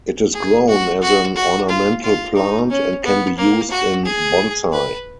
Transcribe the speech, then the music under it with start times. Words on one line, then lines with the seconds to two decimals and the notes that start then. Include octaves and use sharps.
It is grown as an ornamental plant and can be used in bonsai.
0.34 G#4
0.68 F#4
1.02 F#4
1.35 F#4
1.69 F4
2.03 F4
2.35 D#4
2.69 C#4
3.03 B3
3.37 A#3
3.70 F#4
4.05 G#4
4.72 B4